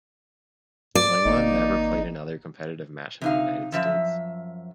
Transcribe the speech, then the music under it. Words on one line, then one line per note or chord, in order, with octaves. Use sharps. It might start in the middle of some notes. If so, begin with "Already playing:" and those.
Lenglen never played another competitive match in the United States.
D5
G#1 A#3 D#4
C3 D#4 F5
F#2 F3 E5